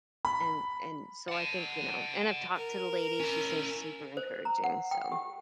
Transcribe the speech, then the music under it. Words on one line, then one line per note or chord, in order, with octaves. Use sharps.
And and so I think, you know and I've talked to the lady. She seems super encouraging, so.
B5
F#5 A5
A#4
C#4 E4
C5
A#5
F#5
G5
G4